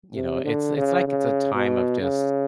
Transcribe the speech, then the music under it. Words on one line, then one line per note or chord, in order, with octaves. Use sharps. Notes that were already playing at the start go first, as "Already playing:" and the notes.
you know, it's it's like it's a time of just
C3
D3
C#3
C#3
B2
C#3